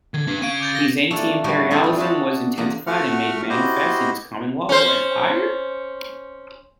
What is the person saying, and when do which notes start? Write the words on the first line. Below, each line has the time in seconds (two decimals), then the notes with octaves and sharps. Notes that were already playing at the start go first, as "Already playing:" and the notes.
His anti-imperialism was intensified and made manifest in his Commonwealth or Empire?
0.14 D3 D#3 G#6
0.28 D4 B4
0.42 C#4 F5 G#6 D7 D#7
0.60 D6 G6 A6
0.74 G6 A#6 G7
1.11 A3 A#3 D4 A4
1.44 A2 D3 G3 A3 F#4 G4
1.71 A3 C4 F4 G#4 A4
1.84 E3 G3
1.97 D4 F#4 G#4 A4 A5 B5
2.58 E2 A#3 F#5 A#5
2.87 A3 F#4 F#5 F6
3.49 E4 F#4 G4 C5 D#5
4.69 C#4 C5